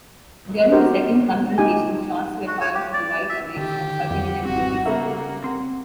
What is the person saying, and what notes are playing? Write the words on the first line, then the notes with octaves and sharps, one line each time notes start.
During the second confrontation, shots were fired at the Wide Awakes, resulting in injuries.
F#4 G4 A#4 C5
D#4 G4 G#5
F#4
C#5
G4
D5
E5
D3 D#3 G4
F2 G3 F#5
G#1 C4 F#4
C#3 A#3 B3 A4 E5
C4 C6